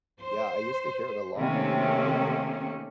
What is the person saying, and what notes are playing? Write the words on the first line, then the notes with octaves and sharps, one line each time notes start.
Yeah, I used to hear it a lot on the radio,
C5
C3 D#3 A3 A#3 C#4